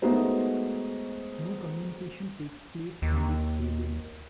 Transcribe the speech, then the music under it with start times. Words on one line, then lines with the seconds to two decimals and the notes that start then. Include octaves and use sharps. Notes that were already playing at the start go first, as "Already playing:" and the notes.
No communication takes place on this cable.
0.02 G#3 A3 B3 D#4 F#4 C5
3.02 D#2